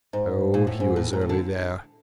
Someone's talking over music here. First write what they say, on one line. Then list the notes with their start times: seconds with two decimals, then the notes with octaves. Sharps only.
Oh, he was early there.
0.13 G#2
0.54 A#2
0.67 A2
0.80 G#2
0.96 A2
1.13 A#2
1.21 A2
1.29 D3